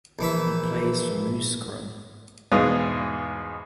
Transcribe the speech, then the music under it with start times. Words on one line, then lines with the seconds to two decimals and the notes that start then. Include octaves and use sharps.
He plays for Mouscron.
0.19 A#1 E3 E5
2.52 E2 G#2 B2 G#4 B4 F5